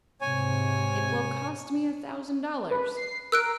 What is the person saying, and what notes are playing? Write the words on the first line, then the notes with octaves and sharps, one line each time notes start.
It will cost me a thousand dollars.
G#2 C3 C#5 G#5
B4
C7
A#4 E6 F#6 D7